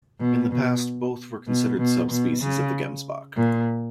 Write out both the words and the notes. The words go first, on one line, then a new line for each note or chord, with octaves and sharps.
In the past, both were considered subspecies of the gemsbok.
B2
B2
B2
B2
B2
C#3
A#2